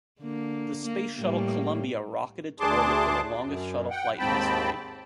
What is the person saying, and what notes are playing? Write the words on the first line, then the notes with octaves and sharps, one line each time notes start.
The Space Shuttle "Columbia" rocketed to orbit for the longest Shuttle flight in history.
D3 A#3
A#3
A2 G3 A#3
D2 D4 G#4 A5 C6 D6
F#2
F#5 G5
D#2 G#2 C4 G5 A5 B5